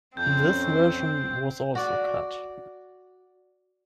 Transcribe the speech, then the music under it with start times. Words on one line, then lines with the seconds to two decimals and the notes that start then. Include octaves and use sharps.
This version was also cut.
0.17 F2 C4 C#4 G6
1.75 F#4 D5